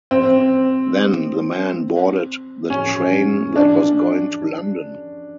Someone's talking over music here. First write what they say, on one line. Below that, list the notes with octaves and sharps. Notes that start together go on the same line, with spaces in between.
Then, the man boarded the train that was going to London.
C4
C#4
D4